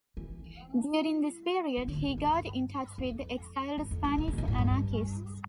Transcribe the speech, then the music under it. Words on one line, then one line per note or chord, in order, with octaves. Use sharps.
During this period he got in touch with exiled Spanish anarchists.
E3
F3
D3
A2
A2
G2
F2
G2
F2
G2
B2
A2
C3
B2
A2
G2